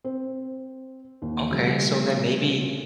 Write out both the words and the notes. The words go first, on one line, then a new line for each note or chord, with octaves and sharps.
Okay so, then maybe
C4
D#2
C#3 F3 G3 A3